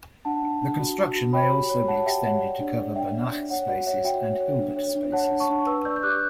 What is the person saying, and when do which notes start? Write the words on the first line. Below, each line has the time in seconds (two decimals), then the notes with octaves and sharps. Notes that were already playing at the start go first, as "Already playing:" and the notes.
The construction may also be extended to cover Banach spaces and Hilbert spaces.
0.25 D4 F#5 A5
0.43 D4
0.62 D4
0.79 F#4
0.98 F#4
1.15 F#4
1.33 C#5 G5 B5
1.51 G4
1.69 C#5
1.88 C#5 F#5 A5
2.06 G4 E5 G5
2.24 C#5 F#5
2.42 D5
2.60 D4
2.78 D5
2.95 D4 E5 G5
3.14 D5
3.32 D4
3.51 C#5 F#5
3.68 F#4 F#5
3.86 C#5 E5
4.05 F#4 E5 G5
4.22 C#5
4.40 C#5
4.58 D4
4.77 C#5
4.95 D4
5.12 C#5 F#5 A5
5.31 D4
5.40 A5 C#6
5.50 D4
5.67 B4 C#6 E6
5.85 D5 E6 G6
5.96 G6
6.03 G4 D6 F#6